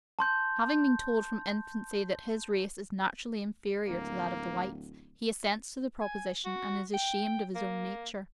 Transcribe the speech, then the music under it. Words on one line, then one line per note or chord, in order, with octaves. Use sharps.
Having been told from infancy that his race is naturally inferior to that of the whites, he assents to the proposition and is ashamed of his own nature.
A5 C6 G6
D1 A#3
G#5
F#4
G5
A#3